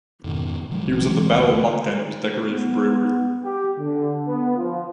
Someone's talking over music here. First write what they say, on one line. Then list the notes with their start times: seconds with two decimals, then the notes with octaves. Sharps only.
He was at the Battle of Mukden and was decorated for bravery.
0.24 F2 G#2 B2 D#3
0.71 D3 F3 F#3 G#3
0.88 A#1 E3
1.00 E3 F#3 G#3 C4
1.32 D2 D#3
1.48 D3
2.48 B3
3.45 G4
3.79 D3
4.27 B3
4.56 F3